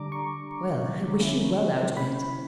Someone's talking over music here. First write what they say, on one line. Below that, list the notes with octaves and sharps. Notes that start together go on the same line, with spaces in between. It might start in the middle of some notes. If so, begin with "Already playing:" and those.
'Well, I wish you well out of it.'
Already playing: D3 G3 D4 A#5 D6
C#6
D3 A#3 C#4 E4
B5